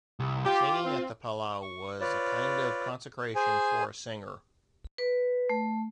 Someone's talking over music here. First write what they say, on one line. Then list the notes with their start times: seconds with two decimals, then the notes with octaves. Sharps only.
Singing at the Palau was a kind of consecration for a singer.
0.20 C2
0.46 F4 G4
0.84 C4
1.62 C#6
2.01 F4 B4 C#5 D5
3.35 G#4 C5 G#5
4.98 B4
5.49 A3